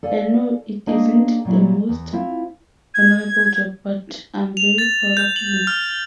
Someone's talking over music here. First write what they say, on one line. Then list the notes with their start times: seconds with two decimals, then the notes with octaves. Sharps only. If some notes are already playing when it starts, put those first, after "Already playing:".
I know it isn't the most honourable job, but I'm very proud of him.
0.03 A4 D5 F5 G#5
0.87 A#3 D4 D#4 G#4 C5 D#5
1.45 A#2 F#3 E4
1.89 E2
2.13 C4 E4 F4
2.94 G#6
4.57 F7
4.78 A6
5.17 G6
5.36 F#7
5.67 F6